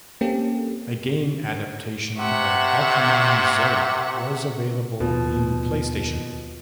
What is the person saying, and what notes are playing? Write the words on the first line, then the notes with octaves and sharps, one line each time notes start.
A game adaption of Ultraman Zearth was available in PlayStation.
A#3 C4 C#4 G4 A4
C3 E5 F#5 C#6
D#2 B2 F3